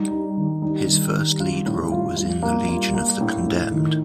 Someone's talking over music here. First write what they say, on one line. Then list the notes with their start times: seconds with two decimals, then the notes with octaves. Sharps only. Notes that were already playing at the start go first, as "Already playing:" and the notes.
His first lead role was in "The Legion of the Condemned".
Already playing: G3 D#4
0.11 D#4
0.37 D#3
0.62 G3 D#4
0.88 D#3
1.14 D#3
1.40 F4
1.66 A2
1.92 F4
2.17 F4
2.43 A#3
2.69 F4
2.95 A#3
3.21 A2
3.46 A2
3.72 D#3 D#4